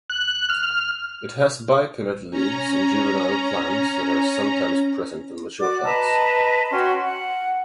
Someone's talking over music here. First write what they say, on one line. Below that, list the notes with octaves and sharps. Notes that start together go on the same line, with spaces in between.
It has bipinnate leaves on juvenile plants that are sometimes present on mature plants.
F#6
F6
C#4 A#5
F#4 D5 D6
B4 D#5 A5 A#5
C#4 F#4 G5 C6
F#5